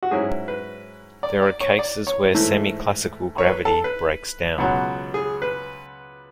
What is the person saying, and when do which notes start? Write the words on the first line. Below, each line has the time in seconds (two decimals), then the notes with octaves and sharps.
There are cases where semiclassical gravity breaks down.
0.03 F#4
0.11 G#2 F#3 C#4 E4 G#4
0.48 B4
1.23 D5
1.42 D5
1.60 C#5
1.79 D5
2.07 C#5
2.34 G#2 E3 A3 E4
3.38 C#5
3.46 B4
3.65 A4
3.84 B4
4.58 C#2 B2 F#3
5.14 G#4
5.42 B4